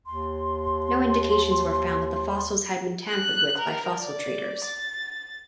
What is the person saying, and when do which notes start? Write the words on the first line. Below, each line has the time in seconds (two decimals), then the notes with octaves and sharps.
No indications were found that the fossils had been tampered with by fossil traders.
0.06 D#2 C6
3.08 F#6
3.58 A#4
4.00 D5
4.65 A6